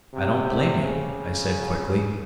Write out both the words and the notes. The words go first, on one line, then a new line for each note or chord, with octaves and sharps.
"I don't blame you," I said quickly.
C3
C#3